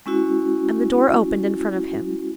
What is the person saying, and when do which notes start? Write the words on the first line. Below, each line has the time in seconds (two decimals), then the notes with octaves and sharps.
And the door opened in front of him.
0.06 G#3 C#4 E4 F#4